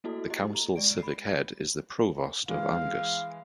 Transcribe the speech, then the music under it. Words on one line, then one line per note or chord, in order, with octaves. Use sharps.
The council's civic head is the Provost of Angus.
A3 A#3 E4 F#4 A4
E4 G4 D#5
A#5
G#3 D5 D7
B5 C7
E3 G#3 F5